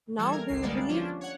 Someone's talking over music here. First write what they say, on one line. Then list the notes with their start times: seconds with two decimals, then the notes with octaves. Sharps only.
Now do you believe?
0.18 E3 G3 A4 G#6
0.33 A#4
0.48 G1 C#2 C7
0.62 D3 G3 G#3 A#3 B3 D5
0.89 F3 C#4 D4 F4
1.21 C#5 F#5